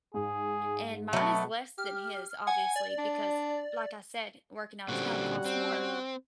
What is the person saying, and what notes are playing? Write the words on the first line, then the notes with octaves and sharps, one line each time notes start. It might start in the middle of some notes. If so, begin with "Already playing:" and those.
And mine is less than his, obviously, because, like I said, working outta town costs more,
G#2 G#4
B2 F#3 A3 E5
G4 F6
F#5 G#5
D5
D4
A#2 D3 G3 C4 C#4 F#4 F#5
C4